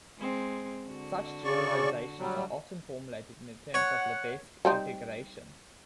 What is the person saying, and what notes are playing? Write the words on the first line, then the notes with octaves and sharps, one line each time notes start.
Such generalizations are often formulated in terms of Lebesgue integration.
G#3 C4
D3 F#4
C#3 D5 C#6
F#3 G3
C#5 F#5
G3 C4 D#4